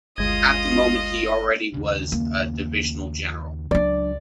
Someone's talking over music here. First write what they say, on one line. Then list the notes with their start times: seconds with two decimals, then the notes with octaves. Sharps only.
At that moment he already was a Divisional General.
0.18 G1 D2 G#3 F4 D#5 D#6 G#6
1.74 D#2 C#3
2.12 A#3
3.71 C#2 F#3 D4 D5